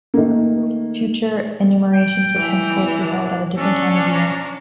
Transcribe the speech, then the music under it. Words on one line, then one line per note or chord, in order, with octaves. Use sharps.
Future enumerations would henceforth be held at a different time of year.
D#3 A3 A#3
G5
E3
D4
C#4 D4 A4
A#5